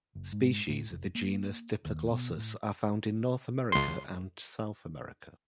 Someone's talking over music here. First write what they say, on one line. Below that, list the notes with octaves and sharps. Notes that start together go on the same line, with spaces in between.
Species of the genus "Diploglossus" are found in North America and South America.
F#1
G#2
A2
F1
A#3
D#2
B2
A2
C#2 C6